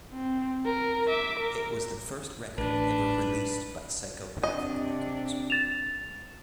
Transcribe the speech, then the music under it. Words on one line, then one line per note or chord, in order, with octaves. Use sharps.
It was the first record ever released by Psychopathic Records.
C4
A#4
E5 D6
A#4
A1 D4 B4
C3 D4 D#5
A6 E7 F7